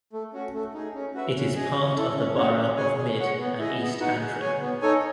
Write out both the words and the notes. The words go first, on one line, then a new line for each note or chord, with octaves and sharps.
It is part of the Borough of Mid and East Antrim.
A3
C#4 F#4
A3
D#4 G#4
C#4
F#4 B4 E5
C#4
G#4 D#5 G#5
C#4
E4 A4
C#4
F#4 C#5
C#4
G#4 C#5 G#5
G#4
C#5 F#5
B3
E4 G#4 D#5
B3
D#4 F#4 B4 F#5
G#4
C#5 G#5
B3
D#4 A4 C#5 G#5